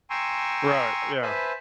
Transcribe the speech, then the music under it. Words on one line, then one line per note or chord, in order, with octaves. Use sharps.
Right, yeah.
G5 G#5 A#5 C6 C#6 E6
B4 C5 E5 G#5 A5 B5